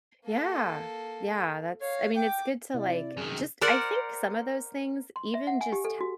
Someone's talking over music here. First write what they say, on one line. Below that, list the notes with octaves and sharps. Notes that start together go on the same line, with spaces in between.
Yeah. Yeah, that's I mean, it's good to, like just I think some of those things, even just h
A#3 A4
C#5 F5
G5 D6
C3 E4 D5
F#2 D#3 G#4
A#4 C5 D5 F#5
C6
E5
F#5
G#5
G4
A4
F#4